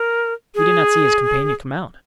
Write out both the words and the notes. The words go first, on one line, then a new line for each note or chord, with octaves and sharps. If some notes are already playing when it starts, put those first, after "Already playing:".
"We did not see his companion come out."
Already playing: A#4
G#4